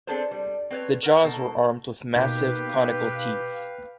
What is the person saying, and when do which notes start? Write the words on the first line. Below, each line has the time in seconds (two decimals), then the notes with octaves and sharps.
The jaws were armed with massive conical teeth.
0.07 C4 D4 G#4 A4 B4 C5
0.31 G3
0.71 C4 B4 C#5
1.03 A#4 F#5
1.23 B2 D#4 A4 A#4
2.16 B2 A#3 D#4 G4 B4 F5 G5